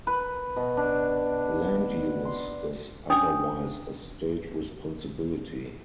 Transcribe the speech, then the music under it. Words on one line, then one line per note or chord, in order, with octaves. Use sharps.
Land use is otherwise a State responsibility.
B4
B2
D4
C6
C#4 D4 C#5 G5 D#6